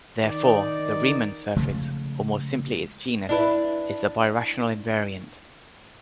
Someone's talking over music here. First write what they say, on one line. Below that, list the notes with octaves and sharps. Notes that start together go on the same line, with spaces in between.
Therefore, the Riemann surface, or more simply its genus is a birational invariant.
D#3 D#4 D5
C#3 F3 G#3 A3
D4 E4 B4